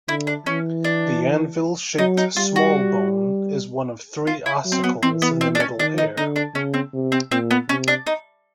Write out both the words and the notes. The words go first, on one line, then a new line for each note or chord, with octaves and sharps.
The anvil-shaped small bone is one of three ossicles in the middle ear.
D3 E4
D4
E3 C#4
D4
F#3 D#4
D#4
G3 F4
F#4
F4
E4
F#3
C4
B3
E3 C4
B3
C4
D4
C#4
D#3 D4
D#4
D3 D#4
D4
C#3 C#4
C4
C3
C4
A#2 C4
B3
C3 C#4
D4
D#4